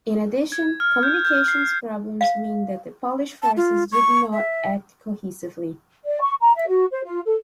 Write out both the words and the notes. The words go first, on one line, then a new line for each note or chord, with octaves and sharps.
In addition, communications problems meant that the Polish forces did not act cohesively.
G#6
F6
G6
G6
C7
F5
A5
F4
C#6
E5
D5
C#6
A#5
E5
F#4
C5
F4
A4